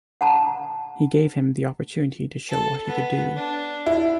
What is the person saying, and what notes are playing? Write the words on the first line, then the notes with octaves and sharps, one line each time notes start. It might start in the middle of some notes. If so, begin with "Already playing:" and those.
He gave him the opportunity to show what he could do.
F#5 A5 A#5
A4
B3
D4
E4